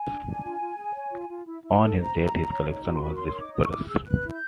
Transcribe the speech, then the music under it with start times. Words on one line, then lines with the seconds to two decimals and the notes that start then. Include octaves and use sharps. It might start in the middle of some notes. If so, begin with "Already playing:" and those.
On his death his collection was dispersed.
Already playing: G#5
0.08 D4
0.24 D4
0.42 F4
0.60 F4
0.77 G#4
0.94 C#5
1.11 F4
1.29 F4
1.46 E4
1.63 E4
1.80 A4
1.97 C5 A#5
2.15 E4
2.33 E4
2.51 C#5
2.68 D#4
2.85 F#4
2.95 C6
3.02 A#4 B5
3.15 C6
3.19 C#5
3.27 C6
3.36 D#4 D6
3.53 E4 D#6
3.65 C#6
3.71 E4 D6
3.88 G#4 E6
4.06 B4 F#6
4.24 E4
4.32 G6